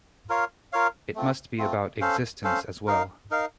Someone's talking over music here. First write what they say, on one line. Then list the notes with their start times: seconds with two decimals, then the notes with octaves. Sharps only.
It must be about "existence" as well.
0.29 F4 A#4 C#5 F5
0.72 F4 A#4 C#5 F5
1.15 A3 C4 F4
1.58 A3 C4 F4
2.01 C#4 A4 C5 F5
2.44 C#4 A4 C5 F5
2.87 D#4 A#4 F5
3.31 D#4 A#4 F5